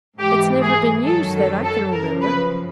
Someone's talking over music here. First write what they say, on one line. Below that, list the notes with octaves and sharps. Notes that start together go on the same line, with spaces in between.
"It's never been used that I can remember."
G#2 E3 G4
G#4
F#2 D#3 F#3 A4
A4
A4
F#2 C#3 F3 A#4
B4